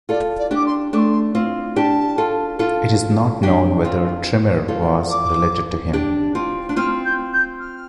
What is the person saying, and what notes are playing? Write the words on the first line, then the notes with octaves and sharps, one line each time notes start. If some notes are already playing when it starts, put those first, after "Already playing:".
It is not known whether Trpimir was related to him.
F4 A4 D5
D5
D4 G4 D6
C6
A3 D4 C6 D6
C4 F4
D4 G4 A5
F4 A4
F4 A4
D4 G4
C4 F4
F4 A4
D6
D4 G4
C4 F4
D4
C4 F4 F6
G6
G6
F6